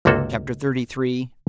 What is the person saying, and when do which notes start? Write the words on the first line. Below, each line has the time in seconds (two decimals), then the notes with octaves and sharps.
Chapter XXXIII.
0.05 G1 C#2 C3 A#3 F#4 A4